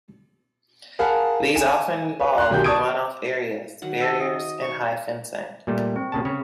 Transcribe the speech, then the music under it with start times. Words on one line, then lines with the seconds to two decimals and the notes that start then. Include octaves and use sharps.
These often involve run off areas, barriers, and high fencing.
0.99 G#4 A#4 F5 F#5 A5 B5
1.55 G#5 E7
2.19 B4
2.38 A#5 C6 F#6
2.50 B1 D#3 G4 G#4 G6
2.64 D5 A5 C#6 D#6 G#6 D7
3.82 D#3 F#3 F#5
4.01 A4 C#5 G#5
4.20 D#5
4.62 C#6
5.67 A#2 G3 A3
5.96 C4
6.12 A#2 C#3 A5
6.25 C#3 C#5